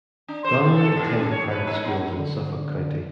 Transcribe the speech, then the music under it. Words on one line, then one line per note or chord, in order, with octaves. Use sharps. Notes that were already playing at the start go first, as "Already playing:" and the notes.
Donnelly attended private schools in Suffolk County.
D4
C5
A3
A4
G#2
C#3
C#5
B4
D#4
B3
D3